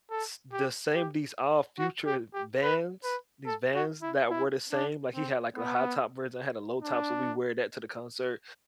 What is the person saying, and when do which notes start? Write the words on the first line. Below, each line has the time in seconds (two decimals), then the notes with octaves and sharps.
s the same these Odd Future Vans, these Vans that were the same like, he had, like, a high top version, I had a low top, so we wear that to the concert
0.11 A4
0.53 G4
0.94 G4
1.79 F#4
2.06 G4
2.34 G4
2.62 B4
3.04 B4
3.46 A4
3.75 F#4
4.02 E4
4.30 E4
4.72 D4
5.15 C4
5.56 B3
6.82 D4